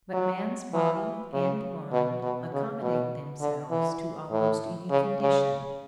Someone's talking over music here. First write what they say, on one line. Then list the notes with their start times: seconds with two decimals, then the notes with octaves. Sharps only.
But man's body and mind accommodate themselves to almost any condition.
0.13 F#3
0.73 E3
1.33 C#3
1.92 B2
2.23 B2
2.53 C#3
2.82 B2
3.41 D3
3.71 E3
4.31 A2
4.90 C#3
5.21 C#3